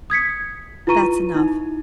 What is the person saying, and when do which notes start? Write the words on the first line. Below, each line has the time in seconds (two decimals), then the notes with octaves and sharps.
That's enough.
0.10 D#6 G#6 B6 C#7
0.87 E4 F4 B4 A#5 C#6 D#7
1.35 D#4 E4